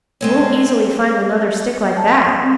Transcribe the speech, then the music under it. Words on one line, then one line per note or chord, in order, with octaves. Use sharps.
You won't easily find another stick like that!'
G#3 C4 C#4
A5
G#5
D#6
C4